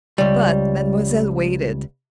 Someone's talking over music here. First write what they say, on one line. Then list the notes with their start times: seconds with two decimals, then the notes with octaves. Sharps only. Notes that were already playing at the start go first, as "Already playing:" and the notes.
But Mademoiselle waited.
0.18 C#2 G3